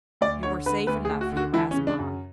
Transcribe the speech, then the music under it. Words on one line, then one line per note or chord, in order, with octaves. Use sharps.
"You were safe enough," he rasped on.
D2 D5
D3 C#5
D3 B4
D2 B4
G#4
D2
F#4
D3 F#4
E3 E4
C#4
C#3
D4
F#2